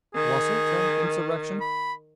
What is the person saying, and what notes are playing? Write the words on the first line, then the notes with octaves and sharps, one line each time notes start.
Was it an insurrection?
D#3 G#4
B5